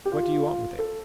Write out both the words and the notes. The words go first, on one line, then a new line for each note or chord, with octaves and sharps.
"What do you want with him?"
G4
F4
A4